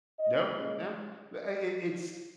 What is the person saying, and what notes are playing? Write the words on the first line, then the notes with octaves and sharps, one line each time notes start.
No, no. But, I I it it's
D#5
A#2 G#3 C#4 D#5